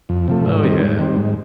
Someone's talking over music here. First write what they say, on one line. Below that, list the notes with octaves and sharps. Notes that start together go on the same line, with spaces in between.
Oh, yeah.
F2
C3 F3 A3
G#2
D#3 G3 C4
G#2
D#3 G3 C4
G#2